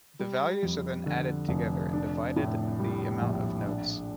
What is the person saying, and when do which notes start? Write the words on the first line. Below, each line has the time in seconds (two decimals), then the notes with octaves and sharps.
The values are then added together and divided the amount of notes.
0.19 G3
0.63 F2
1.06 D3
1.49 F1
1.93 D4
2.36 A2
2.80 G3
3.22 A#1
3.66 D4